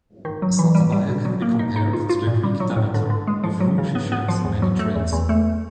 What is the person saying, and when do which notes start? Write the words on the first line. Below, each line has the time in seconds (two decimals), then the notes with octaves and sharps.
Satanaya can be compared to the Greek Demeter, with whom she shares many traits.
0.25 D#3
0.42 F#3
0.59 E3
0.75 G3
0.92 G3
1.09 B2
1.25 F#3
1.42 A#3
1.59 D#4
1.76 D#4
1.93 F4
2.09 F4
2.27 A#2
2.43 G3
2.60 F#3
2.76 A2
2.94 D3
3.10 D3
3.27 G#3
3.44 F3
3.60 F#3
3.78 C#3
3.95 B3
4.12 B3
4.28 F3
4.45 E2
4.62 F#3
4.79 A3
4.95 E2
5.13 E2
5.29 A3